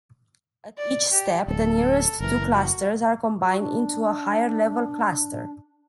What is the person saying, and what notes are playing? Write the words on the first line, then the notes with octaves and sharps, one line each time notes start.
At each step, the nearest two clusters are combined into a higher-level cluster.
D5
G4
D1 A4
F#1 E3 A#4
F#4
F#4
D4